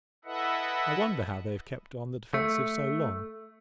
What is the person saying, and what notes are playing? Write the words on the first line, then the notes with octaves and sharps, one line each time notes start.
I wonder how they have kept on the defensive so long.
E4 A4 B4 D#5 E5 F#5
A3